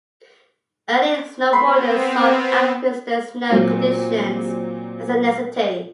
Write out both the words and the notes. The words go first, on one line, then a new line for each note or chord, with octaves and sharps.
Early snowboarders sought out pristine snow conditions as a necessity.
B3 C4 B5 C6
A#2 F#3 C4